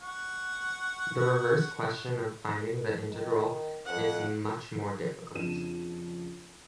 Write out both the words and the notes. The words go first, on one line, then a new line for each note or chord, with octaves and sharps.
The reverse question of finding the integral is much more difficult.
F#5 C#6
D#3
F2 F#5
F2 C#3 D4 D#7 E7